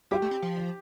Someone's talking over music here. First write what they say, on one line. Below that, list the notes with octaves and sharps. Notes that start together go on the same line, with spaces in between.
Oh, core.
G3 G4
A3
C4
F3